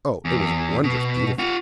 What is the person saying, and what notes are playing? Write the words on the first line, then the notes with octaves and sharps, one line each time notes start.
Oh, it was wondrous beautiful!
E2
B2
F4 F#5